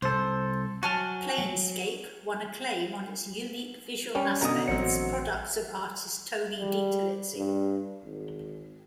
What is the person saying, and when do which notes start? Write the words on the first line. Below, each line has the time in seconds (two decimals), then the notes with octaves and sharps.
"Planescape" won acclaim on its unique visual aspects, products of artist Tony DiTerlizzi.
0.02 C2 A4 C5
0.83 F#3 F#4 G#5 A5 F6
1.38 F#3
4.15 G3 C#4 G5
4.41 B2 D3 C#4 A#5 D#6
4.68 A1 F#3 C4 F#5 C#7
6.59 G3
7.36 G2
8.05 G#1